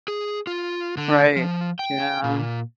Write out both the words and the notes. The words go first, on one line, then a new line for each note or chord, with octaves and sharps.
Right. Yeah.
G#4
F4
D3
F3
G5
A#2